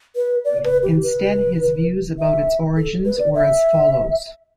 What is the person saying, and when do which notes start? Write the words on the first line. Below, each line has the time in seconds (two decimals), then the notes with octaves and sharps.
Instead his views about its origins were as follows.
0.16 B4
0.45 D5
0.64 B4
0.83 G4
1.03 B4
2.19 E5
2.77 A4
3.05 B4
3.19 D5
3.35 E5